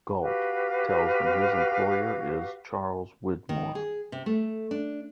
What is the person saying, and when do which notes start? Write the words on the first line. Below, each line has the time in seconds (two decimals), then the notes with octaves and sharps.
Gault tells them his employer is Charles Widmore.
0.21 F#4 G4 B4 F5
3.49 D#3
3.75 G#4
4.12 C3
4.26 A3
4.71 D4